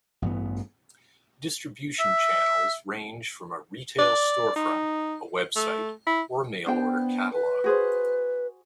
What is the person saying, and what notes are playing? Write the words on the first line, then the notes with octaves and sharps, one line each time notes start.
Distribution channels range from a retail storefront, a website, or a mail-order catalogue.
A1 G2 E3 B3
E5
D5
D#4
A3
E4
B3 D4 C5 G5
B4
F#4 G#4 C5